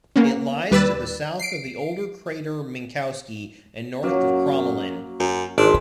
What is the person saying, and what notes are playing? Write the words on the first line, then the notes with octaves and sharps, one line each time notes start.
It lies to the south of the older crater Minkowski, and north of Crommelin.
A#3 B3 C#4
D#2 G3 B4 D5 E6 A6
C7 D7
F#2 F#3 A#3
F#2
G#1 E3 G#3 D4